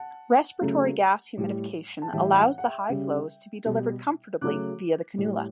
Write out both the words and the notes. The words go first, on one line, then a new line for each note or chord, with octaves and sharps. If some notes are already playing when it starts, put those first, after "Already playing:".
Respiratory gas humidification allows the high flows to be delivered comfortably via the cannula.
Already playing: F#5 A5
C#3 F#3 A3
A2 G3
A5
A2 E3 G3 E5 G5
G5
F#5
F#5
E5 G5
C#3 G3
B2 G3
C#3 F#3 A3 D6 F#6
A2 G3